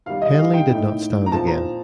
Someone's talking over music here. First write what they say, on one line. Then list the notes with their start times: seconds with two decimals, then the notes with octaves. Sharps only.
Henley did not stand again.
0.06 D#2 D#3 G3 F5
0.22 D#5
0.38 F5
0.54 G5
0.69 A2 A3 D#4
1.26 A#5
1.31 A#2 F3 C4 A5
1.47 A#5